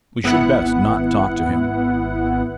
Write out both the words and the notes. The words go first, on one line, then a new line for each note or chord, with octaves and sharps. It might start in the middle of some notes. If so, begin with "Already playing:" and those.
"We should best not talk to him."
G#1 B3 E4 F#5